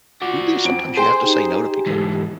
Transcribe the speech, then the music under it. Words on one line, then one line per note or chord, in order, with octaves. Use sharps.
and do sometimes you have to say no to people
F4 F#4 D5
F2 D7
G#4 A4 C5 G5 C6
D#4 G4
E2 G#2 A3